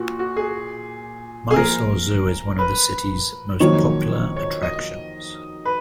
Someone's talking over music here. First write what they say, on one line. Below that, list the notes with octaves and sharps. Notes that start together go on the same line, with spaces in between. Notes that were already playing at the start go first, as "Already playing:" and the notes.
Mysore Zoo is one of the city's most popular attractions.
Already playing: A#2 F#4
F#4
G#4
G#4
F3 A#3 F4 A#4
B4
F2 D#3 F#3 A#3 C#5
C#5
D#5
B4